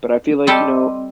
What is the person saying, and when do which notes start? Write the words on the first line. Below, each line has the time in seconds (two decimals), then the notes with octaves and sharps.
but I feel, like, you know,
0.47 G3 C4 G4 A4 D#5